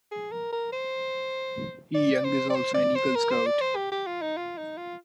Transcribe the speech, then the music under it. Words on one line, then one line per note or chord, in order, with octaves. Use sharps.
Young is also an Eagle Scout.
G#4
A#4
A#4
C5
D5
C5
D5
C5
D5
C5
A#4
C5
D5
C5
G4
G4
F4
D#4
F4
D#4
F4